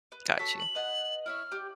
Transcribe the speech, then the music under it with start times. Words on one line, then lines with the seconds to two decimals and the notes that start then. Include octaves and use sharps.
Got you.
0.12 B4
0.39 F#4 A4 C#5 B6
0.59 F#7
0.75 B4 D#5 F#5
1.26 E4 C#5 E5 F6
1.52 G4